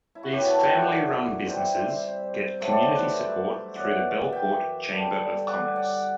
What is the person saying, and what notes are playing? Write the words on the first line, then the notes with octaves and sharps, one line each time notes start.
These family run businesses get community support through the Bellport Chamber of Commerce.
E4
F#4
F#2 F#3 B3 E4 G4
F#4 A4
E5 G5
D5 F#5
C3 G3 C4 C5 E5
C5 E5
G2 F#3 A3 C4 E5
D5
C5
B4 D5
C5 E5
F#2 E3 B3 D5 F#5
E5 G5
G2 D3 G3
D5 F#5
D5 F#5